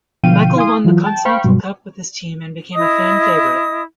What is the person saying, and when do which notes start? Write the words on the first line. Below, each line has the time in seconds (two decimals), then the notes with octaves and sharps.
Michael won the Continental Cup with his team and became a fan favorite.
0.23 B2 D3 F3 F5 G5 D#7
0.56 E4 F5 G#5 C6 D#6
0.84 E3 F#3 F4
1.04 G5 A5
1.25 C5 F5 G5 B5 C#6 F6
1.44 G2 B2 F#3 G3
2.74 E4 D#5 D#6